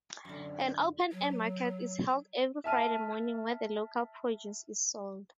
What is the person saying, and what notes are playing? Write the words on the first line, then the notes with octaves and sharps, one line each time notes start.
An open-air market is held every Friday morning where the local produce is sold.
F#2 D3
F#3
E5 A5 F6 D#7